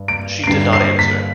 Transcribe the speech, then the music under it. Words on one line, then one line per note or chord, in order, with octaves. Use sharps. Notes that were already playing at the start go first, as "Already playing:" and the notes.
She did not answer.
Already playing: G2
D7
D7
G2 D3 G3 C7
C7
B6